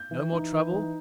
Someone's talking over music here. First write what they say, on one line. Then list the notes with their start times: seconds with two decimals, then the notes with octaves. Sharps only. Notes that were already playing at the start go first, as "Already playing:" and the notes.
No more trouble?
Already playing: G6
0.11 E3
0.32 D#4
0.53 E3
0.73 D#4